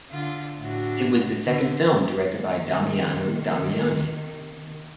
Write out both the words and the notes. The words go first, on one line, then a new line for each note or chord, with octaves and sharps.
It was the second film directed by Damiano Damiani.
D3 F4
A2 D4 F#4
D3
C3 D#3 A#3